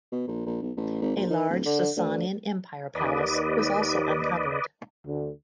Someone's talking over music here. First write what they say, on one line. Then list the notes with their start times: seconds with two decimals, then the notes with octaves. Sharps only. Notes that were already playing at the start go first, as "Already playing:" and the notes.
A large Sasanian Empire palace was also uncovered.
0.12 B2
0.27 A#1
0.46 A#1
0.62 B1
0.76 A1
1.01 G#1
1.16 A#1
1.30 D#3
1.49 D1
1.65 D3
1.96 D2
2.95 D#2 B4 D5 D#5
5.05 D2 D3